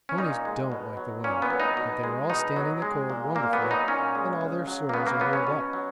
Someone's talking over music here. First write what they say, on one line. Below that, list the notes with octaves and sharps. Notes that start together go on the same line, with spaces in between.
The ponies don't like the wind, but they are all standing the cold wonderfully and all their sores are healed up.
C#4
A#2 D#4
G#3
B2
F#3
A#2 C#4
B3
F#3
D#4
B2
G#3
B2 D#4
F#3
G#3
A#2
A#2 A#3
B3
F#3
D#4
A#2 C#4
G#3
C#3
F#3
A#3
C#3 B3
A#3
F#3 B3
C#4
B2
F#3